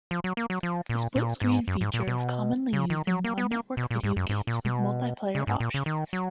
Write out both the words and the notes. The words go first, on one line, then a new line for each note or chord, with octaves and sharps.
The split screen feature is commonly used in non-networked video games with multiplayer options.
F3
F#3
A#3
F#3
F3
A#2
A#2
G#2
F#2
G#2
A#2
B2
C#3
D#3
F#3
A#3
B3
A#3
B2
A#2
G#2
F#2
G#2
A#2
B2
C#3
G#2
A#2
C#3
D#3
F#3